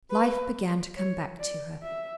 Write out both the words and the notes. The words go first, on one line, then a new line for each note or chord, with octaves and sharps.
Life began to come back to her.
B4
C#5
D5
E5